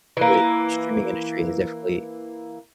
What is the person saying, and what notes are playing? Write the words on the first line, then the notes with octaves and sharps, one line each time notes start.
the streaming industry has definitely,
E3 A#3